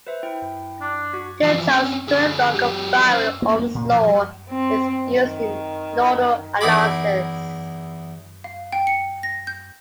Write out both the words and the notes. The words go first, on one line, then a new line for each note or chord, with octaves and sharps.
Kirchhoff's current law combined with Ohm's Law is used in nodal analysis.
B4 C5 E5
E4 G5
D4
F#4 C#6 B6
E3 F3
C4 C#4
D3 G#4
F#3 G4
C#4 C5
A#3
A#3
A#2
F3
G3
C4
D#3
E2 D#4 E4 G#4 B5 D6
F5
G5
C#7
A#6
G6